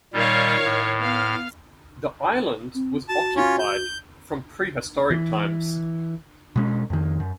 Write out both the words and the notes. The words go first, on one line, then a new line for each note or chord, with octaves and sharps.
The island was occupied from prehistoric times.
A#2 D#3 G3 C#5 F5
A2
B3 F5
C4
F#4 A5
C#4 F4 C#5
G6
E3
B2 G#3 C#4
F2 D#3
F#2